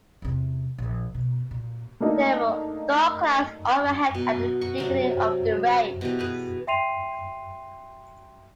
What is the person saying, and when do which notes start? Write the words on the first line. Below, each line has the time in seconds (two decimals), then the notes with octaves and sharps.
There were dark clouds overhead at the beginning of the race.
0.22 E2 C3
0.78 A#1
1.14 B2
1.51 A#2
2.00 A3 A#3 D4 D#4
4.15 B2
4.61 F#4 C#6
4.78 C3 F#3 D4
6.01 B2 E3 G4
6.19 G4 G#4 B4
6.67 E5 G5 C6 C7 D#7 F7